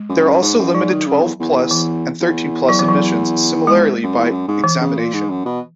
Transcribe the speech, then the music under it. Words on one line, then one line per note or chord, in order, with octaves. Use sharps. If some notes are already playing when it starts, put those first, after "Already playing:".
There are also limited twelve plus and thirteen plus admissions, similarly by examination.
Already playing: G#3
F#2
F#2
G#2
F#2
G#2 F#3
D#3
C#3
E2
E2
E3
E2
F#3
E3
F#3
G#3
F#2
E2
F#2
G#2
E3
C#3
A#2
G#2
F#2
B2